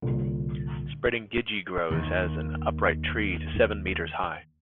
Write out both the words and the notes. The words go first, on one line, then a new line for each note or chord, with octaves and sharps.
Spreading gidgee grows as an upright tree to seven metres high.
C2 A#2 D3
D#2 D#3